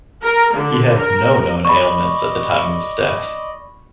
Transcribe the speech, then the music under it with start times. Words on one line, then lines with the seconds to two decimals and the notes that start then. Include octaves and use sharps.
He had no known ailments at the time of his death.
0.22 A#4
0.54 D3
0.98 A#4
1.65 D5 D#5 B5 C#6